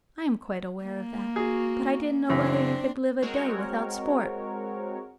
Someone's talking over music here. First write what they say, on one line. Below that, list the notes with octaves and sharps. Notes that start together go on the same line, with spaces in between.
"I am quite aware of that, but I didn't know whether you could live a day without sport."
A#3
F#4 G#4
F#2 C#3 E3 C4 D4
G#3 C4 F#4 A#4 C#5